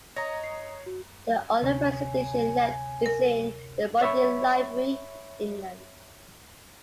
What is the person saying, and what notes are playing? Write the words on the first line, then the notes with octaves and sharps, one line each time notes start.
The only first edition left is in the Bodleian Library in England.
C#5 D#5 A#5 A#6
C7
F#4
D2 C3 C#5 G#5
A#4
C#5 E5 B5 C#6